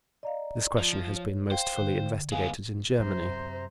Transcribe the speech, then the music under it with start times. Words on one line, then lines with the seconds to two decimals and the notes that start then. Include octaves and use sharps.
This question has been most fully investigated in Germany.
0.23 D5 D#5 F5 A#5
0.78 F3
1.16 C#5
1.51 C5 F5 G5
1.78 D3
2.32 G#3 B3 F5 G#5
2.99 F#2 C3 C5 A#5